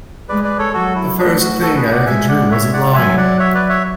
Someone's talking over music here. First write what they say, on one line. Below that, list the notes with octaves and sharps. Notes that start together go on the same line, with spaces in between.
The first thing I ever drew was a lion.
G#3 B4 D5
B4 D5
A4 C#5
F#3 F#4 A4
E4
A3 D4
F#4
F#4 A4
G#4 B4
D5 F#5
G#3 E5 G#5
D5 F#5
C#5 E5
D5 F#5
F#3 E5 G#5
D5 F#5
C#5 E5
B4 D5
C#5 E5